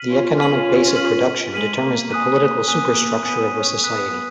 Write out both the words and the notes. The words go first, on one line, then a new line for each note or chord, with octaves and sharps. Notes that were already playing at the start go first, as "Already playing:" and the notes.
The economic base of production determines the political superstructure of a society.
Already playing: F6 B6 D#7 F#7
C#4 F4
F6 B6 D#7 F#7
F6 B6 D#7 F#7
G#3 F6 B6 D#7 F#7
A#3
G#5 D#6 F#6 B6 D#7
A#3
A#3 G#5 D#6 F#6 B6 D#7
B3 G#5 D#6 F#6 B6 D#7
C#4
B3 G#5 D#6 F#6 B6 D#7